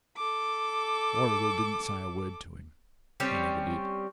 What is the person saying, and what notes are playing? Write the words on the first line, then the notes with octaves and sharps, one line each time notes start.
Warrigal didn't say a word to him. He never did.
A4 D6
G3 C4 C#4